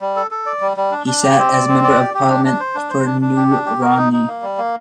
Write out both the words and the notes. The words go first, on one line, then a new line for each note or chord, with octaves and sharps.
He sat as Member of Parliament for New Romney.
G3
A4
A4
D5
G3
G3
D4
D4
G4
C4
D5
C4
D5
G4
G4
D4
D4
C5
D4
C5
D4
D4
G4
D4
G4
A#4
D#4
D#4
A#3
G3
A#3